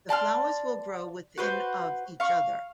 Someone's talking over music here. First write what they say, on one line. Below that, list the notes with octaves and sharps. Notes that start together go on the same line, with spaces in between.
The flowers will grow within of each other.
D5 A5 C6 F6
F#4 B4 C5
F5 C#6